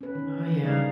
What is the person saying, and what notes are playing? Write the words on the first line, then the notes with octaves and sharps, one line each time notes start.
Oh, yeah.
C#4 B4
D#3 C#4
G3 G#3 D4 D#4 D5 F5